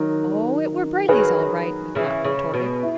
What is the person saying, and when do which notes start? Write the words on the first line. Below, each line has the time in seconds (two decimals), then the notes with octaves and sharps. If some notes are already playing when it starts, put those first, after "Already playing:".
"Oh, it were Brayley's, all right," McNutt retorted.
Already playing: D#3 F#3
1.08 D#3 F#3 G#4 B4
1.95 C#3 E3
2.25 C#3
2.54 B2
2.83 E4